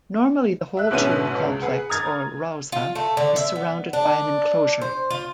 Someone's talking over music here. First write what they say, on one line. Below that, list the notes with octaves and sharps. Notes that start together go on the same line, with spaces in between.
Normally the whole tomb complex or "rauza" is surrounded by an enclosure.
E5 F#6
G#2 B2 B3 C#4 E4 D#7
C#2
G#4 B4 F#5
A#5 D#6 F6 G#6 A6
F4
A3
D3
E5
B3
D4
C5
F4